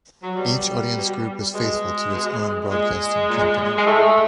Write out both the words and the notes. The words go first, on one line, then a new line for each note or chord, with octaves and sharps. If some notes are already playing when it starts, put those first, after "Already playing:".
Each audience group was faithful to its own broadcasting company.
F#3
B2 G3
B2
B2 G#3
B2
A#2 G#3
A#2
G#3
A2 A3